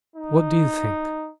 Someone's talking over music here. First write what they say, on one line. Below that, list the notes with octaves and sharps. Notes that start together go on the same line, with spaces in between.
'What do you think?
D#4